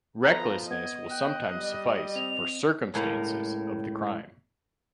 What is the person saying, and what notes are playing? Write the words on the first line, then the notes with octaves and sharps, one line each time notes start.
Recklessness will sometimes suffice for 'circumstances' of the crime.
F3 B3 A4 B4 A#5
B3 D#5 G#6
G5 F#6
G3
C4 F7
C#2 A2 A#3